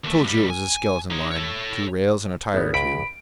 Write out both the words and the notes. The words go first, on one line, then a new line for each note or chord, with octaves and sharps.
I told you it was a skeleton line, two rails and a tie or two.
D#2 A3
B1 G3
G#5
D#4 C#5
A4 C#5
G#1 B3
C#2 B5 B6 D7